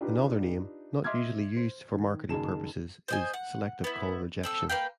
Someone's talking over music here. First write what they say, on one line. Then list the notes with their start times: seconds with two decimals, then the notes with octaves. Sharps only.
Another name, not usually used for marketing purposes, is "Selective Call Rejection".
0.01 D4 D#4 F4 G4 B4
1.04 D#5 E5 C6 D6 F6 G#6
1.56 C5
1.94 D#3
2.29 F#1 D#3 G#4 A5 E7
3.08 C5 D#5 G#5
3.33 F#5
3.84 B3 E4
4.43 C4 A4 E6
4.69 A#3 B4 F5 G5